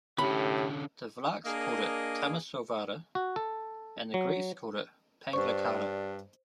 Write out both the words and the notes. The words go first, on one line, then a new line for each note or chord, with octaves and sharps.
The Vlachs called it Tomisovara and the Greeks called it Panglicara.
A2 D3 C#4 G4 B5
A#3 D4 G#4 A#4 D#5
F#4
A4
F#3
G2 C5 D5 C#6